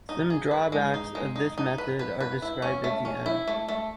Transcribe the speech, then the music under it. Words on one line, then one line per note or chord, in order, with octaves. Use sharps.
Some drawbacks of this method are described at the end.
D#4
G#4
B4
G#3
D#4
G#3
D#4
D#4
B4
B4
B4
E4
C#4
A3
C#4
E4
A3
A3